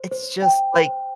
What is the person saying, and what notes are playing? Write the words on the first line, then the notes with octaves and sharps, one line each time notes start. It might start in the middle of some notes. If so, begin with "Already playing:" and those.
It's just like
Already playing: C5
C5
G5
C5